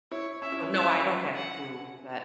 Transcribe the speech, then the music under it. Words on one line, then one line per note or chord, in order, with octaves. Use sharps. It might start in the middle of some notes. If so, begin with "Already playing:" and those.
So, no, I don't have a clue, but
E4 C#5
C#4 E5
E4
C#4
E4 E5
F#5